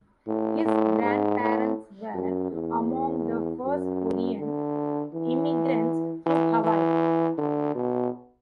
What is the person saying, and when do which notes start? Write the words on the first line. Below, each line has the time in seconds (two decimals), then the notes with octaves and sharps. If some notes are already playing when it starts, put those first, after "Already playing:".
His grandparents were among the first Korean immigrants to Hawaii.
0.27 A2
0.65 A2
1.02 G#2
1.39 A2
2.14 F#2
2.51 E2
3.64 F#2
4.39 D3
5.14 E3
6.26 E3
6.63 E3
7.38 D3
7.76 B2